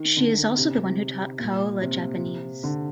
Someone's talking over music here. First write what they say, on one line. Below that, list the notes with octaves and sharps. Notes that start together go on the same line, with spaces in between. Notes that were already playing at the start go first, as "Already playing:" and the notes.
She is also the one who taught Kaolla Japanese.
Already playing: D#3
D3
C3
A#2
C3
D3